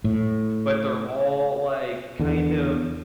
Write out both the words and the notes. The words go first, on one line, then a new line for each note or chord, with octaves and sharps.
but they're all, like, kind of
A2
E2 D3